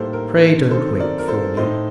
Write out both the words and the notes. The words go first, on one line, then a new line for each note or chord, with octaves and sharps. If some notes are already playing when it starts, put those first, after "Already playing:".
Pray, don't wait for me.
Already playing: A2 G3 A#3 D#4 A4 C5
A#4
D#3 F#3 C4 D#4 A4 C5
A#4 D5
A#4
A4 C5
A2 A3 D#4 C5 D#5